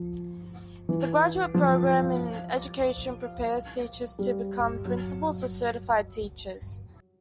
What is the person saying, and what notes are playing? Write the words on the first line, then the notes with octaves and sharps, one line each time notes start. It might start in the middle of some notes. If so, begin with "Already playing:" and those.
The graduate program in education prepares teachers to become principals or certified teachers.
Already playing: F3
E3
F3
G3
F#3